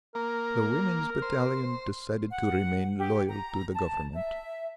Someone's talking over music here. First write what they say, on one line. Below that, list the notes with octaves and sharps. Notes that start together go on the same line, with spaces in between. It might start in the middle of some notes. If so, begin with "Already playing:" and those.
"The Women's Battalion decided to remain loyal to the Government."
A#3 A#4
C5
F#5
G4
A#5
A5
E5